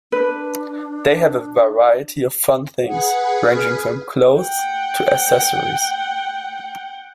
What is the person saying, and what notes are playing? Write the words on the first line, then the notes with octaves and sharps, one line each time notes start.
They have a variety of fun things, ranging from clothes to accessories.
D4 B4
G#4 B4 F#5
F6
F#5 G5